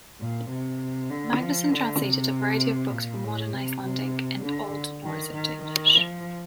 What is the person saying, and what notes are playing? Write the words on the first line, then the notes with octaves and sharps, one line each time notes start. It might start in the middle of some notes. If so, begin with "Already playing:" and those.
Magnusson translated a variety of books from modern Icelandic and Old Norse into English.
A#2
C3
D3
F3
D3
C3
A#2
A2
C3
C3
D3
D#3
D#3
D#3
F3